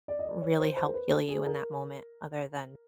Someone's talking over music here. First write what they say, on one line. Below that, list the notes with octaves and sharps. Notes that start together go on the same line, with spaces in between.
really help heal you in that moment other than
D5
D#5
D5
C#5
C5
C5
A#4
B4
A4
G#4
A#4